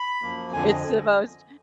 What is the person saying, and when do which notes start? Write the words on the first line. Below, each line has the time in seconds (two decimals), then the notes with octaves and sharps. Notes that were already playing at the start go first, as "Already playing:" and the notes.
It's the most
Already playing: B5
0.22 F#2 F3 A#3
0.53 F2 D3 F3 G#5
0.68 D#5